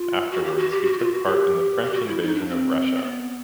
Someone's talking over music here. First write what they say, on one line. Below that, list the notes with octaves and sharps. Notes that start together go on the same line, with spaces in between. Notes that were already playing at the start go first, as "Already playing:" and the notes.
Afterwards he took part in the French invasion of Russia.
Already playing: F4
F#4
G4
F#4
G4
F#4
F4
F#4
G4
G4
F#4
E4
D#4
D4
C4
C4
B3